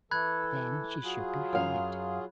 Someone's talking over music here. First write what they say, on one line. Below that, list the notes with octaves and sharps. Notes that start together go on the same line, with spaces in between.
Then she shook her head.
E3 A4 B5 F#6 G#6
F#3 F4 G#4
F#2 F5